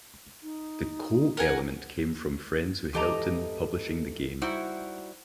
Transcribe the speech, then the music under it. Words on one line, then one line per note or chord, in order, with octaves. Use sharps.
The "Co" element came from friends who helped in publishing the game.
D#4
A#4 F#5 G#5
G#2 E3 G4 A4 D#5 A#5
G3 D#4 E4 F#4 C5 F#5